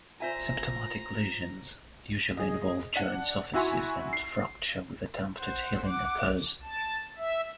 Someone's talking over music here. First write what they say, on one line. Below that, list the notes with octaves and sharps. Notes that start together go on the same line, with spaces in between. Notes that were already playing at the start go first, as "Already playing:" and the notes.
Symptomatic lesions usually involve joint surfaces, and fracture with attempted healing occurs.
F4 C5 E5 G#5 A#5
G#4 D#5
D4 F#5
E4 F#4 E5 G#5 C6 C#6
C7
C5 F#5
F#5 D6
A5
E5